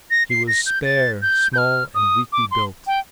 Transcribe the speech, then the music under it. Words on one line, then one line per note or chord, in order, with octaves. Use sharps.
He was spare, small and weakly built.
A#6
C7
A#6
G6
A6
G6
G6
F6
D#6
D6
C6
G5